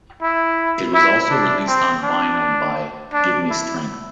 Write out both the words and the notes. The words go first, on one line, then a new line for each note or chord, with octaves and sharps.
It was also released on vinyl by Give Me Strength.
E4
E4
D4
C4
D4
D4
E4